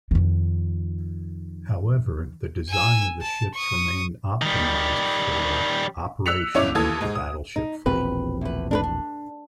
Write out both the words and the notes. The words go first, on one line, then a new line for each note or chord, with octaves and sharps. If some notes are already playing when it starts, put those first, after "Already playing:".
However, the design of the ships remained optimized for operation with the battleship fleet.
F2 D#3
G#5 E6
A5
C#6 D#6
D#3 G3
E6 F#6 B6 C#7 F7
G1 C#4 E4 C#5 D6 F7
D#2 E3 A4 D#6 G#6
G#2 G#3
D#6
D#4
E1 A#1 C4 B4
D2 B4
D4 A#4 B4
D4